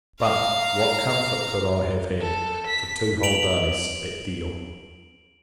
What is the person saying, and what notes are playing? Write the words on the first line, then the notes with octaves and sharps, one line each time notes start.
But, what comfort could I have had, for two whole days, at Deal?
F5 A#5
A4
B6
D7 F7 F#7